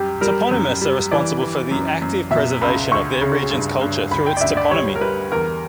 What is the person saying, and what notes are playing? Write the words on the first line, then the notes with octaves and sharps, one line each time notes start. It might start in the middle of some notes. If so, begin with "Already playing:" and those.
Toponymists are responsible for the active preservation of their region's culture through its toponymy.
Already playing: F#2 G3 G4
G3 A#4
F#2
G3
E3 D5
E3
F#2
F#2
B2 E5
C#2 B5
D2 C#6
C#3
G2
G2
D2 B5
G5
D5
D2 E5
D5
G3 C#5
A#4
G3 B4
E2 A#4